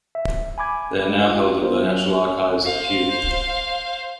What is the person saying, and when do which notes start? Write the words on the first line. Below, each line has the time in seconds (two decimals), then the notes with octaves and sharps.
They are now held at The National Archives at Kew.
0.15 E5
0.58 G#5 B5 D6 G#6
1.08 G#3 A3
1.27 F4
1.61 B3 F4 A#4 C5
1.84 F#3
2.65 C5 F5